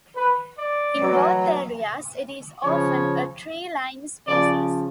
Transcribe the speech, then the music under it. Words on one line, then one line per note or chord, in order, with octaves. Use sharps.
In both areas, it is often a tree line species.
B4
D5
B2 F#3
C#3 F3 C#5
C#3 F3 D5